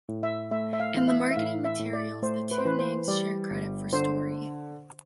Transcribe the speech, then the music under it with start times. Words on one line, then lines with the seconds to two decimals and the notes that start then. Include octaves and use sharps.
In the marketing materials the two names share credit for story.
0.09 A2
0.23 E5
0.51 A3 E5
0.73 E5
0.80 F5
0.94 E3 F5
1.08 E5
1.31 E5
1.36 A2 F5
1.65 E5
1.79 A2
1.93 D5
2.22 A3 C5
2.51 B4
2.58 C5
2.65 E3 B4
2.79 C5
3.08 G3 D5
3.50 G1
3.93 D3 C5